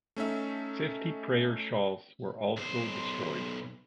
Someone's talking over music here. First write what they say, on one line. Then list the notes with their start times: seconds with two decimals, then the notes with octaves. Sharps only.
Fifty prayer shawls were also destroyed.
0.16 A3 C#4 D#4 E5
2.57 B1 C5